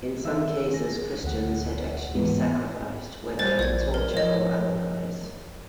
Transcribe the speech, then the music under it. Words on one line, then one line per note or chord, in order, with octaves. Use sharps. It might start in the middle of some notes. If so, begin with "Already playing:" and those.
In some cases Christians had actually sacrificed, whether under torture or otherwise.
D#3 E5 E6
G#4 A#6
D2 F#5
G#2 E3 G#3 A#3 B3
G3 C5 A6
A#1 D5 G#6
A#4
F3 C#5 D#5